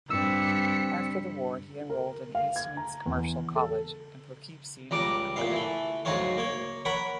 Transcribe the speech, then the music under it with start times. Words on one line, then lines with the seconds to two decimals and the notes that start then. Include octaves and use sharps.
After the war he enrolled in Eastman's Commercial College in Poughkeepsie, New York.
0.10 G2 C4 E6 B6 C#7
1.90 A#4
2.35 F5
2.56 G#6
2.77 A#5
3.06 E2
3.56 A4
4.91 C#2 G3 A#5 D6
5.36 A1 A#2 B3 F5
5.52 E3 A3
6.05 D2 G#2 F#3 C5 C#5 F5
6.37 A#3 C#5
6.85 A#4 C#5 F#5 B5